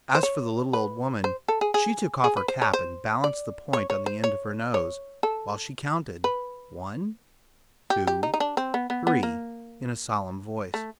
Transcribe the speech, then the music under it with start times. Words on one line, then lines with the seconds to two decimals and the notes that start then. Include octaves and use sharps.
As for the little old woman, she took off her cap and balanced the point on the end of her nose, while she counted "One, two, three" in a solemn voice.
0.15 C5
0.23 C#5
0.73 B4
1.24 C5
1.48 A4
1.61 G#4
1.74 G#4
2.24 G#4
2.37 B4
2.48 C5
2.62 C#5
2.73 C5
3.24 D5
3.73 C#5
3.90 C#5
4.06 C5
4.24 C#5
4.74 C#5
5.23 A4
6.24 B4
7.90 G4
8.07 G4
8.23 D#4
8.34 D#4
8.40 D4
8.57 C4
8.74 B3
8.90 B3
9.07 B3
9.23 A#3
10.74 A3